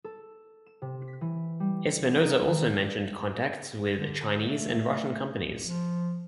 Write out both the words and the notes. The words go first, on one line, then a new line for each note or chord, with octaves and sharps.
Espinoza also mentioned contacts with Chinese and Russian companies.
A4
E7
C3
B6
E3
G3
C#7
D#4
D#3
D3
A3
F3